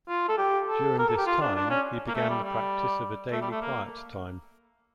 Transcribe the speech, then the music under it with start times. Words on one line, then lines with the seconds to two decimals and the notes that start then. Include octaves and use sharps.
During this time he began the practice of a daily quiet time.
0.09 F4
0.28 A4
0.38 G4
0.68 A4
0.99 A#4
1.09 A4
1.18 G4
1.26 F4
1.41 D4
1.56 D4
1.70 C#4
2.08 A#3
2.14 A3
2.29 G3
2.44 G3
3.32 A3
3.42 G3
3.51 A3
3.61 A#3